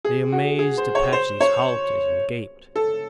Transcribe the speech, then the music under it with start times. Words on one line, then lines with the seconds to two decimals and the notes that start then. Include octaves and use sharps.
The amazed Apaches halted and gaped.
0.05 G#4
0.32 F#4
0.59 G#4
0.78 C5
0.95 C#5
1.13 C5
1.40 C#5
2.76 A4